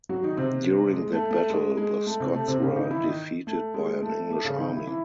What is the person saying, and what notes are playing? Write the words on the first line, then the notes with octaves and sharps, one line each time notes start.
During that battle the Scots were defeated by an English army.
F#3 F#4
D#3 D#4
C3 C4
G#3
A3
A3
G#3
G#3
A3
C3 C4
A3
C3 C4
C#3 C#4
D#3 D#4
E3 E4
D#3 D#4
A3
G#3
A3
A3
C#3 C#4
D#3 D#4
E3 E4
E3 E4